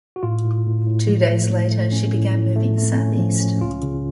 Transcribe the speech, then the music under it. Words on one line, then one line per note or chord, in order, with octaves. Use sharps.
Two days later, she began moving southeast.
F#4
A2 F4
A2
A2
A2
F3
A3
A2
A3
C#4
A2
A2
A3
A3
C#4
F3
C#4
C#2 F4
C#3